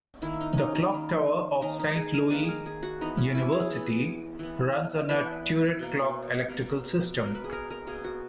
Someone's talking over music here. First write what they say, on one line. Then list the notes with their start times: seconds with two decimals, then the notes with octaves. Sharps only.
The Clock Tower of Saint Louis University runs on a turret clock electrical system.
0.22 D#3 A#3 E4
0.40 D#4
0.53 C#4 D#4
0.75 D#4
0.91 D#3 A#3
1.61 D#3 A#3 D#4
1.79 D#4
1.96 G#4
2.14 A#4
2.30 D#3 A#3 B4
2.42 G#4
2.48 A#4
2.66 G#4
2.83 F#4
3.01 E3 B3 D#4
3.17 C#4
3.35 E4
3.52 G#4
3.70 E3 B3
4.39 E3 B3
5.09 E3 B3 B4
5.79 B2 A#3
6.49 B2 A#3
7.17 B2 A#3 A#4
7.35 B4
7.44 G#4
7.52 A#4
7.70 A#4
7.87 B2 A#3 G#4
8.04 F#4